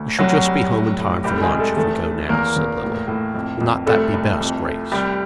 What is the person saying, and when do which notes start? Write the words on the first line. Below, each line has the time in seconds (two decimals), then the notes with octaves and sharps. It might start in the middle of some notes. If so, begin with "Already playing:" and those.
"We shall just be home in time for lunch if we go now," said Lily. "Will not that be best, Grace?"
Already playing: D2
0.19 C2 F#3 F#4
0.45 G3
0.71 A2
0.98 A2
1.24 C2 G3 G4
1.37 A4
1.41 G#3 G#4
1.51 C2
1.59 A3 A4
1.76 E2 A3 A4
2.03 A3
2.29 E2 A#3 A#4
2.56 E2
2.83 A2
3.08 A2
3.34 F2
3.61 F2
3.87 C2 A3 A4
4.13 C2
4.40 F2
4.67 A3
4.92 C2 G3 G4